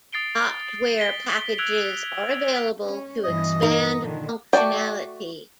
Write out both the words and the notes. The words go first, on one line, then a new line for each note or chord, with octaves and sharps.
Optware packages are available to expand functionality.
D#6 A6 C7 D7 G7
B6 G7
E6 F#6 G#6 D7 F7 F#7
C#4
G2 B2 E3 D#5
D#4 A#4
A#2 D3 D#3
A3 F#4 A4 D5 G5